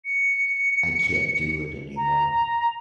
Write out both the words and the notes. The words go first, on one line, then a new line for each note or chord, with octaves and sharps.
I can't do it anymore.
C#7
A#5